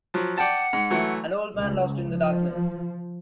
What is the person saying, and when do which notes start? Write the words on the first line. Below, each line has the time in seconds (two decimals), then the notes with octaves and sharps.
An old man lost in the darkness.
0.14 F3 F#3
0.38 D5 F#5 G5 A5
0.73 G#2
0.90 E3 F#3 A3
1.55 C#2
2.07 F3